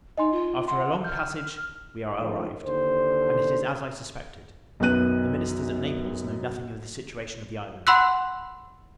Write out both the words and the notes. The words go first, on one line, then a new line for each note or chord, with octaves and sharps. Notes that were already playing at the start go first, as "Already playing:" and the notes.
After a long passage, we are arrived; and it is as I suspected--the ministers at Naples know nothing of the situation of the island.
D#4 D#5 G#5 C6
F4
F#5 C6
F6 G6
C#2 A2 D#3 F3
D#2 D3 C5
B1 F#2 B3 F#6 D#7
F#5 B5 C6 E6 F#6